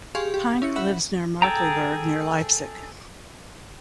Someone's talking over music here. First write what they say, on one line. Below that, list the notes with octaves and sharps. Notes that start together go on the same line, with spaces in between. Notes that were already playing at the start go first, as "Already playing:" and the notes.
Pank lives in Markkleeberg near Leipzig.
G4 G#4 F5 C6 C#6
G4
C#4 E4 C#7
E5 F#5 B5
G#4 A4 G5 A#5